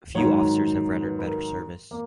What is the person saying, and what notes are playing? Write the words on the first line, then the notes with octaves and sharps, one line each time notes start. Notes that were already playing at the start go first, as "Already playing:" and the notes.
Few officers have rendered better service.
G#2 D#3 F#3 C#5
B4
B4
A#4
A#3